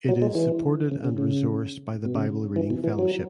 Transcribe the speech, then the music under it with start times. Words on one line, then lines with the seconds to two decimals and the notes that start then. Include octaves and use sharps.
It is supported and resourced by the Bible Reading Fellowship.
0.09 F#3
0.22 G#3
0.35 E3
0.91 C#3
1.05 C#3
1.18 C#3
2.05 B2
2.15 C#3
2.56 E3
2.70 B2
2.84 E3
2.99 F#3